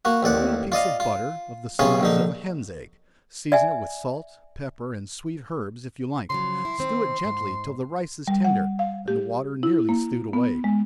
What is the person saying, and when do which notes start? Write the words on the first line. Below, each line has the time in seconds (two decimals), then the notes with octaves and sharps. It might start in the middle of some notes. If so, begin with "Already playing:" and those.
Put in a piece of butter, of the size of a hen's egg; season it with salt, pepper, and sweet herbs if you like; stew it gently till the rice is tender, and the water nearly stewed away.
0.05 A#3 F#4
0.23 A1 D#2 D5 F#5
0.72 F4 D5 D#5 F5
1.00 F4
1.79 B1 C3 C#4 F4 G#4
2.01 A#1 D3 D#4
3.52 D5 E5 G#5
6.30 C#3 F3 F#3 C6
6.65 E4
6.78 D#3 C4
7.25 G#2
8.28 G3
8.44 F#5
8.79 F5
9.08 G4
9.63 E4
9.89 A#3
10.33 B3
10.64 G#3